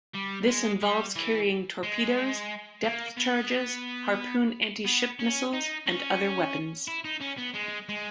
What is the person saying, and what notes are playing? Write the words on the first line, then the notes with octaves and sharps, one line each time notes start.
This involves carrying torpedoes, depth charges, Harpoon anti-ship missiles, and other weapons.
G3
G#3
G3
E3
G#3
A#3
B3
B3
C#4
D#4
C#4
E4
D#4
C#4
B3
G#3
G#3